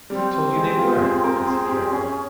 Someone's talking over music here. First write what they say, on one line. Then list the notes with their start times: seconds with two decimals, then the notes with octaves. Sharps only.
"Who told you they were?" asked Caroline.
0.10 G3 C4
0.56 G#3
0.72 G4
0.79 F4
1.02 G#4
1.23 A#4
1.46 G#4
1.64 G#4
1.70 G4
1.92 C#4 G#4